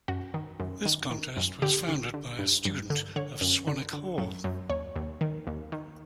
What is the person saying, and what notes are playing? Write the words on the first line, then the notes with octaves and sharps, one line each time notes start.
This contest was founded by a student of Swanwick Hall.
F#2 F#4
D#3
F#2
D#3
D#3
F#2
D3 G4
D3
D3
G2
G2
D3
D3 C#5
F#2
D3
D3
F#2
F#2
D#2 C#5
D#2
D#3
D#2
D#3